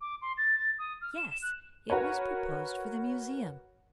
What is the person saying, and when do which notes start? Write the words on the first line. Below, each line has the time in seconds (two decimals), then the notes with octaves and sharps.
"Yes; it was proposed for the Museum."
0.01 D6
0.22 C6
0.38 A6
0.58 A6
0.79 D#6
1.02 F6
1.17 E7
1.31 E7
1.42 F#6
1.90 F#4 A#4 B4 C#5